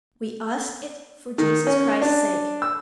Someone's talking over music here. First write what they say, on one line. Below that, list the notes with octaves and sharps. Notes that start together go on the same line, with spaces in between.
We ask it for Jesus Christ's sake.
D#3
C#4
D4
E6